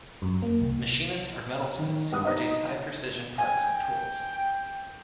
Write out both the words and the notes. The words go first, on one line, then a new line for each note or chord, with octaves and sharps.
Machinists are metalsmiths who produce high-precision parts and tools.
F#2
A#3
C2
D#3
G2 B3 D#6
D#4 C5 D#5 A#5 D#6 A#6
G5 G#5